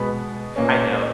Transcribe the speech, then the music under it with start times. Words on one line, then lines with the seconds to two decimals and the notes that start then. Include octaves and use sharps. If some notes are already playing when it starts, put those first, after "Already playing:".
I know.
Already playing: B2 G#3 B3 B5
0.56 A#2 A#3 C#4